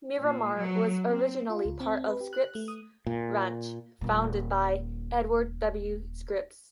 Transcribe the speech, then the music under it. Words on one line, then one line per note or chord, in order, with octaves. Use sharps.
Miramar was originally part of Scripps Ranch, founded by Edward W. Scripps.
A#2
F#3
C4
F4
C#2
C4
B4
G4
F#6
A3
D#6
A#2
D#1 A#2